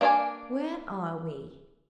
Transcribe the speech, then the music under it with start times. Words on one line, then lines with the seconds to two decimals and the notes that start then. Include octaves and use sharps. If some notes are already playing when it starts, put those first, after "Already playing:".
'Where are we?
0.01 A#3 D4 C#5 D5 G#5